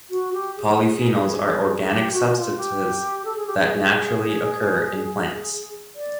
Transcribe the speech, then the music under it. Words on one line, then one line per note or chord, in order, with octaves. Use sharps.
Polyphenols are organic substances that naturally occur in plants.
F#4
G4
G#4
G4
F#4
F4
G4
A4
G#4
G4
G#4
D5